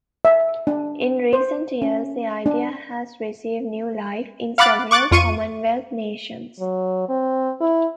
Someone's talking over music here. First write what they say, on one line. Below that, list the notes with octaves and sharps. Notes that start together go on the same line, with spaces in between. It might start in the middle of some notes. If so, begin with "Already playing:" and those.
In recent years, the idea has received new life in several Commonwealth nations.
E5
D4
C5
C#4
D4
F5 F#5 B5 D6 F#6 A6
C#6 D6 F#6 A6
F2 F4 C#6 D#7
F#3
C4
E4